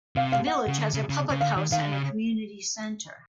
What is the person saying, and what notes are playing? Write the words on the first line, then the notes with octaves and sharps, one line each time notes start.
The village has a public house and a community centre.
C3 F5
F5
F#5
C#3
D3
C#3
C#3
C#3
D3 F5
D#3
D#3 F5
D3
C#3